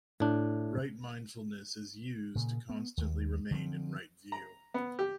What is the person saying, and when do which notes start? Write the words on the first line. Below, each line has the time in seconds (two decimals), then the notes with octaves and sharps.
Right mindfulness is used to constantly remain in right view.
0.20 A2 D4
2.35 A#2 C#3
2.69 B3
2.97 D#2
3.51 D3 F3 B3 C4
4.32 A#5
4.74 B3
4.99 G4